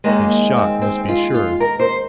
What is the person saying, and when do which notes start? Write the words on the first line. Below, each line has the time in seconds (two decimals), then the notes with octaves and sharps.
His shot must be sure.
0.04 D#2 D#3 G#3 A#3
0.56 C4
0.82 C4
1.08 F4
1.34 F4
1.60 A#4
1.79 C5